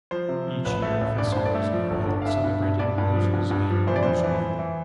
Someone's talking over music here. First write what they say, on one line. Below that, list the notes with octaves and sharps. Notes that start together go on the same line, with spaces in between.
Each year, festivals are held celebrating roses and rose oil.
F3 C5
C3
F3
A1 B4
A3
A1
G2 D5
G2 C5
D5
A3
F3
G1
D3
F5
G2 E5
G2
G2
G2 D5
G2
F3
G2
G2
F3
E3 C5
D5
F2 C5
E3
E3
E3